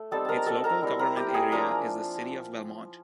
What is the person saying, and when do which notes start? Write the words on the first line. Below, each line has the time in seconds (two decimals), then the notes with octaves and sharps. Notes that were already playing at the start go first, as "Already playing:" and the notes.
Its local government area is the City of Belmont.
Already playing: A3
0.11 G3 C4 D#4 A4 A5
0.25 A#4 A5 A#5
0.46 A4 A5
0.64 A#4 A#5
0.82 G3 C4 E4
0.99 A#4 A#5
1.16 G4 G5
1.34 G#4 G#5
1.52 F3 A#3 D4 F4 A#4 A#5